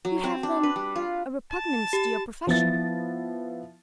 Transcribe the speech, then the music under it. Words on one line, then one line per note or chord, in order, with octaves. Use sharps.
"You have, then, a repugnance to your profession?"
F#3
C4
D4
B4
G3
F4
A5
G4
F3 B3 E4 A6